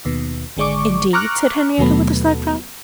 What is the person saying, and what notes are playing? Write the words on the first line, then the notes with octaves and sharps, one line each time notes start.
"Indeed?" said Henriette, with a slight frown.
D#2 B2
G#1 D3 G#3 D5 C#6 D6
A#5 C#6 D6 F6 F#6
D#2 B2 F#3 A3 B3